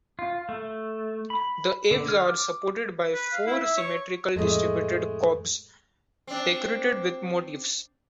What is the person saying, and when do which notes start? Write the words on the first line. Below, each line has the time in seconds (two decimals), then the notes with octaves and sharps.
The eaves are supported by four symmetrically distributed corbels decorated with motifs.
0.19 F4
0.49 A3
1.30 B5
1.91 D3
2.08 F6
2.26 D6
3.14 B4
3.33 F5
3.47 E4
3.58 E5
3.77 C#5
4.36 F2 A2 G#3 A3 D#5
6.27 C4 D4